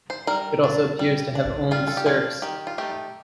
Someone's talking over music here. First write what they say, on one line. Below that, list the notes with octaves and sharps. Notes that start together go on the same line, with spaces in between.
It also appears to have owned serfs.
C5
G3 A#4
D4
G3
D4
G3 F4
A4
G4
D4 F4
D#3 G4
F4
A3 D#4 G4